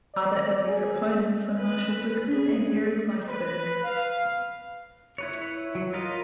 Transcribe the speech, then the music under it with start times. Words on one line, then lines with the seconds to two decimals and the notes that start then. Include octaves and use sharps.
Other early proponents were Marshall Brickman and Eric Weissberg.
0.14 D5
0.68 G#4
1.57 B4
2.32 G#4
3.28 B4
3.84 F5
5.18 E4 B4 C#5
5.75 F#3
5.93 F4 A#4 B4 D#5 F5